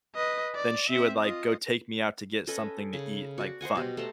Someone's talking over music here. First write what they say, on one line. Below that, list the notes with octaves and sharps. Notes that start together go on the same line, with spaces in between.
then she would, like, go take me out to get something to eat, like, fun,
B4 D#5
D5
C4 E5
F4 D#5
C#4 A4 B4 D#5
C#3
F#4 D5
C5 D#5 F#5 G#5
B2 G4
A3 C5 A5 A#5